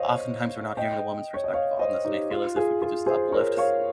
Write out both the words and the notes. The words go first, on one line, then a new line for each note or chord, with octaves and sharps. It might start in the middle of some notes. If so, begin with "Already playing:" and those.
oftentimes we're not hearing the woman's perspective on this, and I feel as if we could just uplift, s
Already playing: C5 C#5 D#5 F5
D#5 G5
C#5
D#5
C#5 F5
C5 D#5
D#4 G4
F4
F4 G#4
F4 G#4
G#4 C5
A#4 C#5
C#5 F5